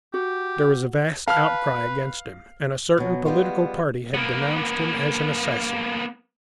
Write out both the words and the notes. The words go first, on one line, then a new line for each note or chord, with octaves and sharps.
There was a vast outcry against him, and a certain political party had denounced him as an assassin.
F#4 G4
B4 F5 A5 F6
B2 F#3
G3 G#3 B3 F4
A#3 B3